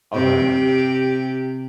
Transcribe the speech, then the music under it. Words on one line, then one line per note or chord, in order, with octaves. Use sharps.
Oh, go ahead.
C3 G4